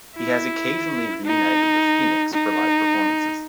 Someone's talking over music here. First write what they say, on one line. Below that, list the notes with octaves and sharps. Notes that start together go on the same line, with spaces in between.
He has occasionally reunited with Phoenix for live performances.
E4
D#4
D#4